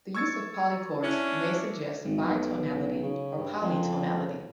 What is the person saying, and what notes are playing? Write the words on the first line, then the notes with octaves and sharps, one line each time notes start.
The use of polychords may suggest bitonality or polytonality.
C#6 E6 G#6 A6 C#7
C#4 D4 E4
G#1
B1
C#3
G2
F2